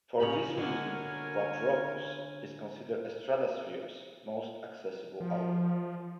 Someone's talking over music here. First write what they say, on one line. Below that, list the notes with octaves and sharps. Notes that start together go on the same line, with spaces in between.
For this reason, "Quadropus" is considered Estradasphere's most accessible album.
C#3 G4 C#5 A#5 B5
B2 D3 A#3 B3 A#4 C#5 G#5
F3